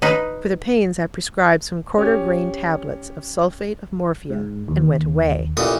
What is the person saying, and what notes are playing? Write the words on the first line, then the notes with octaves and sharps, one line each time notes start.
For the pains I prescribed some quarter-grain tablets of sulphate of morphia, and went away.
D#4 B4
C#4 G4
G#2
D#2
A1 A#2 D#6